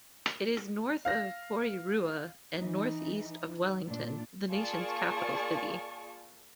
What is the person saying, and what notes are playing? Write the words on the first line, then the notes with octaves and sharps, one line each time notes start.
It is north of Porirua and northeast of Wellington, the nation's capital city.
F5 A#6
E3 D#4
A#2 D4
A#3 F4 G#4 D5 A5 C#6